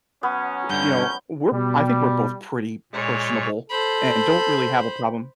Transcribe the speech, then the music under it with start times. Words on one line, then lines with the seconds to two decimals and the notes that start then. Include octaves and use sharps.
we you know, we're I think we're both pretty personable and don't really have a problem,
0.23 F#3 B3 C#4
0.69 G2 D3 G6
1.52 B2 G3
2.93 A#2 G#3 C#5
3.70 A4 C5 B5